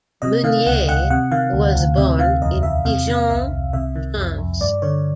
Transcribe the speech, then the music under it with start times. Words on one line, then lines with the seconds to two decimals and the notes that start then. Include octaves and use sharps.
Meunier was born in Dijon, France.
0.22 C3 D#5
0.44 D#3 F5
0.66 C#2 F#5
0.88 C#2 F#5
1.10 C3 F#5
1.32 D#3 F5
1.53 D2
1.75 D2
1.97 C3 E5
2.19 D#3 F5
2.42 E2 D#5
2.63 E2 E5
2.85 C3 F5
3.07 D#3
3.15 F5
3.30 C2 E5
3.52 C2
3.73 C3 E5
3.96 D#3
4.17 F2
4.38 F2
4.61 G2 D5
4.82 D3 C#5